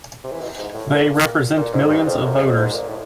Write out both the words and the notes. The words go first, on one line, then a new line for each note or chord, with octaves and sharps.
They represent millions of voters!
C3
E3
B2
G#2
A2
A#2
A#2
G#2
G2
F2
F2
F#2
F2
F2
G#2
A#2
A2